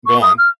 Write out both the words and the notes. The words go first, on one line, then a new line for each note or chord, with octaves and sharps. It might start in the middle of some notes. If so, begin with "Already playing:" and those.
go on.
C#6
D#6
F6